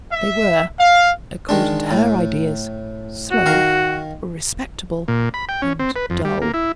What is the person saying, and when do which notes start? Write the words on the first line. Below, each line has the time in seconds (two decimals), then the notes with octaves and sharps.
They were, according to her ideas, slow, respectable, and dull.
0.11 E5
0.79 F5
1.49 D#3 G#3 D4
1.91 A2
3.31 F#4
3.46 D#3 F5 A#5
5.08 A#2
5.34 B5
5.49 G5
5.62 C#4
5.79 C4
5.96 B4
6.10 F2
6.25 G3
6.42 A#3
6.54 E4